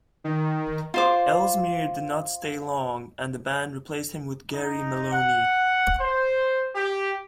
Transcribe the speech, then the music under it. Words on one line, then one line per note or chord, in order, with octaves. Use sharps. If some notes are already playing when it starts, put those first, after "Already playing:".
Ellesmere did not stay long, and the band replaced him with Gary Maloney.
D#3
F4 C5 D6
D#4
F#5
C5
G4